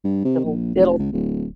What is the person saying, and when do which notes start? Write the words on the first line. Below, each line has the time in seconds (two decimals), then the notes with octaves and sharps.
It’ll it'll
0.05 G2
0.24 C3
0.44 A#1
0.75 F1
0.99 C#2
1.13 D1